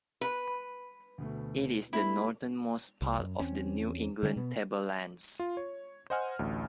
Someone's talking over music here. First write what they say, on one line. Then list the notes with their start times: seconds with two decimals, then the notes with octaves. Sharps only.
It is the northernmost part of the New England Tablelands.
0.21 B4
1.18 D2 B2 A3
1.93 G3 A3 B3 E4
3.02 C2
3.18 F#2
3.39 E2 C4 C#4
4.23 D3 G3 A3 C#4
4.36 B2 B3
5.39 F4
5.57 C#5
6.10 C5 D#5 F#5 G#5 F6
6.39 A1 D2